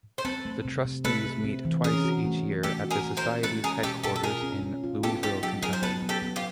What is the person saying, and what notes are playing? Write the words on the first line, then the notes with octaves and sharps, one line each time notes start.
The Trustees meet twice each year at the Society's Headquarters in Louisville, Kentucky.
C5
C4 A4 B4
A3
C3
C3
A3 A4 B4
A3
C4
E3
C#4 G#4 A#4
F#4
A3
A3
A3 G4 A4
F#4
G#4 A#4
A3
A#4 C5
C#4
G#3 A4 B4
C#4 G#4 A#4
B2 G4 A4
B2 G4 A4
A4
F4 G#4 A#4
C#4
C#4
F4
B3 G4 A4
D#4 G4 A4
F#3 G4 A4
F#3 G#4 A#4
C5
B3 A4 B4
B3
G4 A4
B3
F4 G4